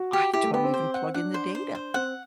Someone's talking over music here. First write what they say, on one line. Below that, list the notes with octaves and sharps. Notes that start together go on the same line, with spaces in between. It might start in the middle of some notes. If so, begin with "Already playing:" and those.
I don't even plug in the data.
Already playing: F#4
G4
E4 G4
A3
B3 G4
C4
C5
F#5
D4 F#5
C5
C5
C5
C4 F#5